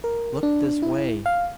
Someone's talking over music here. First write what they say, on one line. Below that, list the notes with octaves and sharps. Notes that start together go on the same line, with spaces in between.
Look this way!
A#4
D4
E4
F5